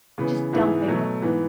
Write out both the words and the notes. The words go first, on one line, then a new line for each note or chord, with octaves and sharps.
just dumping it?
C#3 E3 B3
G#2 E3 B3 E4 G#4
B2 F#3 A3
G#2 E3 B3